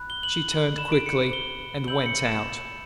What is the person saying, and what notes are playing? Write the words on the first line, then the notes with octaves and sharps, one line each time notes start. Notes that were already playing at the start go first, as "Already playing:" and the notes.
She turned quickly, and went out.
Already playing: B5 F#6
G7
F#7
B5 F#6 E7
D7
C#7
G7
B5 E6 G6 F#7
C#7
E7